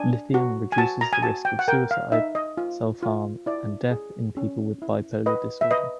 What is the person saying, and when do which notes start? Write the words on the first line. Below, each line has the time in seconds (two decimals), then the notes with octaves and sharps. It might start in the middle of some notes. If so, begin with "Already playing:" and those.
Lithium reduces the risk of suicide, self-harm, and death in people with bipolar disorder.
Already playing: D4 G#5
0.34 F#4
0.72 G#5
0.78 F#4 A5
1.01 A#5
1.13 G#5
1.23 F#4 A5
1.45 G5
1.59 F#5
1.68 A#4 G5
1.91 F5
2.12 D#4 E5
2.35 D#5
2.57 F4
3.03 F4
3.46 E4 D5
3.91 G#4
4.37 C#4
4.82 E4
5.26 B4 D#5
5.61 E5
5.71 B4 D#5